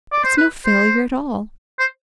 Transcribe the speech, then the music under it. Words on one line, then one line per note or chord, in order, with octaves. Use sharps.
It's no failure at all.
D5
C5
B4
C5
C5